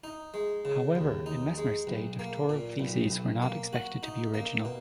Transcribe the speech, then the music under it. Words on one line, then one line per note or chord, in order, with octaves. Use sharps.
However, in Mesmer's day doctoral theses were not expected to be original.
D#4
G#3
C#3
D#2
D#4
G#3
B1
A#3
A#2
B1
B1
A#3
F#4
D#4
A#3
B2